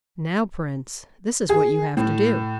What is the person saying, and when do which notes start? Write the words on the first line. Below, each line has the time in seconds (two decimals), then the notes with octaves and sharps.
'Now, Prince, this is what you have to do.
1.49 G#4
1.97 A2